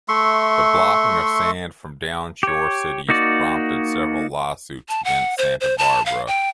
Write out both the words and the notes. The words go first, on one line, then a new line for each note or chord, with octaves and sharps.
The blocking of sand from downshore cities prompted several lawsuits against Santa Barbara.
A3 E5 C6 C#6
G4 C#5
A#3 D#4 F#4 D5
A5
F#5
C5
C5
A5
F5
G5